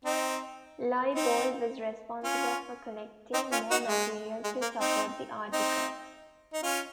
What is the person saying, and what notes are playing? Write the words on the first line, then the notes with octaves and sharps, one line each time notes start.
Liebold was responsible for collecting more material to support the articles.
C4 D#4
C4 D#4
C#4 F4
C4 D#4
C#4 F4
D#4 F#4
G#3
G#3
A#3
C4 D#4
C4 D#4
D#4
C#4 F4